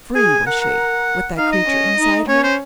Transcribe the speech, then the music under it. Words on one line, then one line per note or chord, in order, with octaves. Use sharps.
FREE was she, with that creature inside her?
G#4 G#5
A#4 F#5
F#5
D#4 F5
D#5
C#4
D#4
C#4 C#5
C5